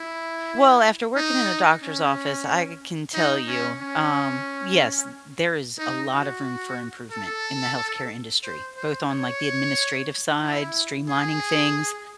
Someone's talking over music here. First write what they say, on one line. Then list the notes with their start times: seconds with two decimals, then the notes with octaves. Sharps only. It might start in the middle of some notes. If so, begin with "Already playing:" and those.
Well, after working in a doctor's office, I can tell you, um, yes, t there is a lot of room for improvement in the health care industry, both on, like, the administrative side, streamlining things,
Already playing: E4
1.16 D#4
1.82 C#4
3.14 D#4
3.48 C#4
3.80 C#4
5.79 D#4
6.12 F#4
7.12 A4
8.44 C5
8.77 C5
9.10 C#5
10.42 E4
11.09 G#4